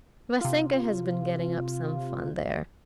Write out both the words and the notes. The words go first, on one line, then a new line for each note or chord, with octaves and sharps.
Vassenka has been getting up some fun there.
C3 F4